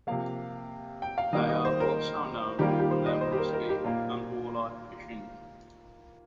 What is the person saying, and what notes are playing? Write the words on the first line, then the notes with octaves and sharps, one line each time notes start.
They are also known for their muskie and walleye fishing.
C3 F3 A#3 F5
G5
F5
D#3 G3 A#3 D#5
D#5
C5
A#4
D#3 G3 A#3 G4
F4
G4
C5
D#5
C5
G4
A#4
A#4
G4
A#2 A#3 F4